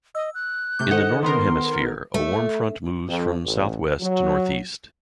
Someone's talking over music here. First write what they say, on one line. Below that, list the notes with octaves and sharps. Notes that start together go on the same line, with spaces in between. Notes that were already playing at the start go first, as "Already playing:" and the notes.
In the Northern Hemisphere a warm front moves from southwest to northeast.
D#5 E6
F#6
C3 A3 D6 G6
D#3 D#4 A4 C5 D#5 F#5
D#3 B3 A#4 C6
A3
F2
A1
F#3